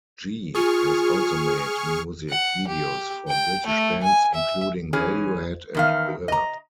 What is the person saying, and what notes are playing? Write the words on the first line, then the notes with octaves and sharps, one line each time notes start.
Gee has also made music videos for British bands including Radiohead and Blur.
F4 G#4 C#6 F6
F#5
G4
G5
A3
G#5
E5
E3 C#4 G#4
E2 D#3 F5
D#5 A#5